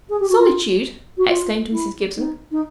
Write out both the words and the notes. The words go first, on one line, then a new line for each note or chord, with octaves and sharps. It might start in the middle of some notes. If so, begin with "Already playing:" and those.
"Solitude!" exclaimed Mrs. Gibson.
G#4
G4
F#4
F4
F#4
F4
E4
D#4
D#4